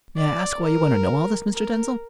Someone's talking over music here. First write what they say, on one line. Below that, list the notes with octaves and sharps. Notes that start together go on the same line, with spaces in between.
"May I ask why you want to know all this, Mr. Denzil?"
D5
A#4
A#4